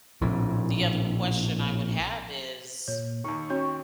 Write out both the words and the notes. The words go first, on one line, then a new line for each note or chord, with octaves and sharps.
the other question I would have is
A#1 A2 C3
A#2 C#5
D#2 D#3 C#6
C#4 F#4 C#5